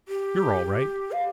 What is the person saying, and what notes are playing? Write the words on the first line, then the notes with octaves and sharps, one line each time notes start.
You're all right!
G4
F5